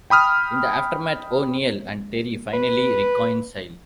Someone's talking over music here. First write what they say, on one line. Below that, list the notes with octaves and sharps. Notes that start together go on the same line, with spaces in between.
In the aftermath, O'Neill and Terry finally reconcile.
G5 B5 D#6 F6
B4